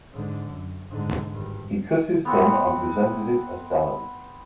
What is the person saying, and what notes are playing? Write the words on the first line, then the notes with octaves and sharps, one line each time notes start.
He cut his thumb and presented it as dhanam.
G#2 D3
F#2
G#2 D3
G#1 G2
B3 C4 F#5